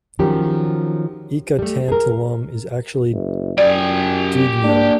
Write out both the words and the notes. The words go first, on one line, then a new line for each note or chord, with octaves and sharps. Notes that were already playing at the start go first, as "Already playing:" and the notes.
Eka-tantalum is actually dubnium.
D#3 F3 F#3 C#4 G4
G3 A3
G#4 A#4
F#1
F#2 G4 D5 G#5
A#3 D4